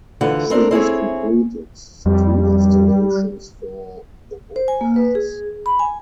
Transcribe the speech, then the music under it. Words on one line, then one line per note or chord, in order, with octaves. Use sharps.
She has completed two installations for The Woodlands.
D2 D3 E3 F4 F#5
B3 C4 D4 A4 A#4
C4 E4 G#4 C#5
F2 G3
C5
G#5
A#3
B4
G#4
B5
G#5